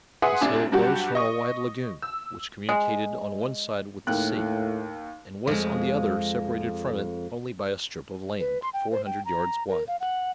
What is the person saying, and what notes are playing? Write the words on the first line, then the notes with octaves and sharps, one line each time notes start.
This hill rose from a wide lagoon, which communicated on one side with the sea, and was on the other separated from it only by a strip of land, four hundred yards wide.
G#4 B4 E5 F#5 C6 D#6
F#1 D2 C3 D4 G#5
G2 F#3 G3 F#4 G4 F#5
D#5 C#6 D#6
E6
G#3
D#2 A2 G5 F#6
F2 G#3
B4
C6
G5
C5
G5
A#5
A#4
F5
F#5